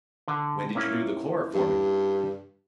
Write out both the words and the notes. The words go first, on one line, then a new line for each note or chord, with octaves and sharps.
"When did you do the chloroforming?"
D3
A#3 C#4 E4
G2